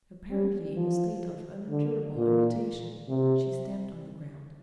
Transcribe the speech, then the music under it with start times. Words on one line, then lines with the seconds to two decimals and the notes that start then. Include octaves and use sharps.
Apparently in a state of unendurable irritation, she stamped on the ground.
0.30 G3
0.76 F3
1.69 D3
2.16 A#2
3.08 C3